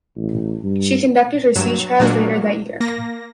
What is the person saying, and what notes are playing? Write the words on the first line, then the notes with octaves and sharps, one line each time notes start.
She conducted her sea trials later that year.
A1
G2
G2 F#3 E7
A#2 F#3 G#3 A#3 D4 F#4
A#3 A#6